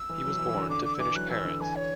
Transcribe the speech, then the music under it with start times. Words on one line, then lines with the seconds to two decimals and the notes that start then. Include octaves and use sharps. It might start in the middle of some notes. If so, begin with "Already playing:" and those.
He was born to Finnish parents.
Already playing: E6
0.09 E3
0.24 F#3
0.39 E3
0.49 E3
0.55 D3
0.70 D3 D6
0.85 D6
0.94 E6
0.99 E3 D6
1.15 F#3 F#6
1.30 E3 E6
1.45 D3
1.61 E3 G#5
1.76 C#5